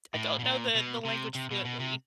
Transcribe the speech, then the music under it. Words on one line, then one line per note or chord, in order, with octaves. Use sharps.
I don't know the the language fluently.
A2
B2
A#2
B2
C3
C3
B2
B2
C3